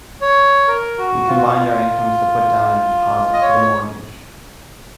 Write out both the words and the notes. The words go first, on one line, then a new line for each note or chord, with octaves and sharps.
We combined our incomes to put down a deposit for the mortgage.
C#5
A#4
F#4
F4
F#4
F4
F4
D#5
C#5